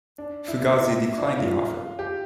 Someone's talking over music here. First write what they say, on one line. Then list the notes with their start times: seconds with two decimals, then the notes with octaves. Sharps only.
Fugazi declined the offer.
0.18 D4
0.48 E4
0.79 E4
0.99 E4
1.18 D4
1.38 F4
1.99 G4